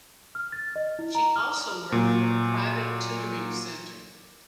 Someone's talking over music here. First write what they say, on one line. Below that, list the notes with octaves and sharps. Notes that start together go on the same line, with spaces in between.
She also worked for a private tutoring center.
F6
A6
D#5
E4
A#5
F6
A#2 F#3